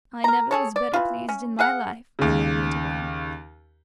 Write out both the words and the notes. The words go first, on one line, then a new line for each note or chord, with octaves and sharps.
"I never was better pleased in my life," murmured Winterbourne.
A#4 A#5
G#4 A4 C#5
D5
E3 F4
C#4
G#4 F5 F#5
D#2 C#3